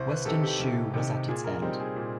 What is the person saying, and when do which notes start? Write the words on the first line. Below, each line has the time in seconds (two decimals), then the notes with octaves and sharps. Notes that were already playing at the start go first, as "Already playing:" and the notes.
Western Shu was at its end.
Already playing: C2 C5
0.09 B4
0.25 C3 D#3 A4
0.43 G4
0.60 C2
0.94 C3 D#3
1.28 A#2 G#4
1.44 A#4
1.62 G3 C4 D#4
1.80 G#4
1.96 A#2